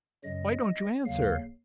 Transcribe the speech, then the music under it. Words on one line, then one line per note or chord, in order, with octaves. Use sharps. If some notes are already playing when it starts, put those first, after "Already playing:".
Why don't you answer?
F#2 C#3 F#3 D#5
D#2 C#3 F#3 F5